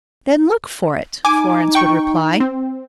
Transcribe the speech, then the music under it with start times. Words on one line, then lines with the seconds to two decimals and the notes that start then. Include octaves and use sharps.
"Then look for it!" Florence would reply.
1.25 D#4 G#5 D6
1.75 G5 C#6
2.40 C4